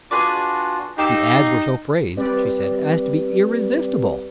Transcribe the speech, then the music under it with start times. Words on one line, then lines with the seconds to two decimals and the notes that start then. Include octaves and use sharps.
The ads were so phrased, she said, as to be irresistible.
0.11 D4 F4 F#4 G#4 B4 D5
0.98 D#4 G4 F5 D6 E6
2.17 G3 C4 G4 B4 D5